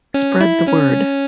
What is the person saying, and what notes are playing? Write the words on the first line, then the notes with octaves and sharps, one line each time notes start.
Spread the word.
C#4
E4
C#4